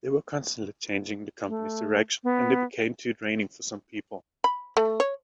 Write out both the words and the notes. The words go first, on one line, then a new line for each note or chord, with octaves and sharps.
They were constantly changing the company's direction, and it became too draining for some people.
A3
B3
B5
A3
C#5